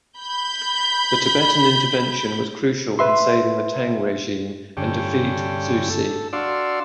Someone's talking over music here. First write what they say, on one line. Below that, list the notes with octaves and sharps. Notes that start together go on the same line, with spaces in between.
The Tibetan intervention was crucial in saving the Tang regime and defeat Zhu Ci.
B5 G6
B4 E5 C6
G2 D3 C#4 G4
A4
D4 F#4 D5 F5 C6 E6